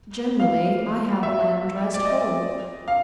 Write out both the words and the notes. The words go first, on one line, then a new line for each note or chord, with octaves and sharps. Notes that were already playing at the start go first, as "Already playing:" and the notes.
"Generally, I have a lamb dressed whole."
F5
E5
D5
D#5
F5